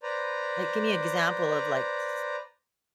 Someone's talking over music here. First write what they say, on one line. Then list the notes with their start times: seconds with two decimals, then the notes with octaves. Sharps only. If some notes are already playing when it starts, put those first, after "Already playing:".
Like, give me an example of, like, s
0.03 B4 C5 D5 A#5